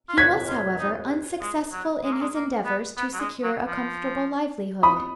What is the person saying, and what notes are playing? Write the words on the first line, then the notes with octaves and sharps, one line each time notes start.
He was, however, unsuccessful in his endeavours to secure a comfortable livelihood.
F4
F#4 G#6 B6
F4
D#4
G#3
F#3
G#3
A#3
G#3
A#3
B3
B3
F#3
G#3
F#3
F3
B5 D#6